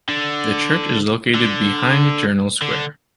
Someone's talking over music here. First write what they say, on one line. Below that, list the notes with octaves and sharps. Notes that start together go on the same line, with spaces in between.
The church is located behind Journal Square.
D3
D3
D3